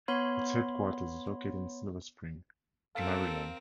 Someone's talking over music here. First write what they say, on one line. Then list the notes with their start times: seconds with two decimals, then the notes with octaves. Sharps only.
Its headquarters is located in Silver Spring, Maryland.
0.08 B3 C#5 B5 C6
2.95 C4 A4 A#4 F5